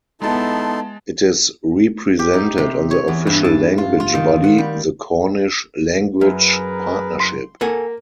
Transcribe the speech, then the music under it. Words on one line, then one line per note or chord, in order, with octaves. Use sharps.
It is represented on the official language body, the Cornish Language Partnership.
G#3 B3 D#4 E4 A4 A5 C6
G4
D#4
C3
C#5
E2
G2
A5
F4
F4
D#3
F#5
G3
F#2 G#4 A#4 B4
C6
A#3 A4 F#5 G#5